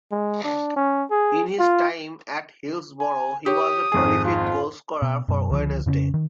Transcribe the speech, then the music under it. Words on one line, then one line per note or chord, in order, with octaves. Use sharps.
In his time at Hillsborough he was a prolific goalscorer for Wednesday.
G#3
D4
C#4
G#4
F4
G#5
G4 C#5 D#6
G#1 F2 G#4
F4
B2
F#2 B2
C#2 D3 F3
F2 C#3 C4 C#4
D#3